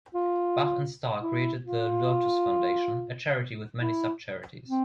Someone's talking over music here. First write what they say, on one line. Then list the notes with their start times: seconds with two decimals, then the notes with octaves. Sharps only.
Bach and Starr created The Lotus Foundation, a charity with many sub-charities.
0.15 F4
1.23 E4
1.66 F4
3.82 E4
4.68 C4